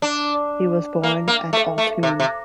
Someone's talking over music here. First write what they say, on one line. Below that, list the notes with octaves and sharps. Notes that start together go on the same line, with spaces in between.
He was born at Autun.
D4
A#3
A#3
A3
A3
C3
C3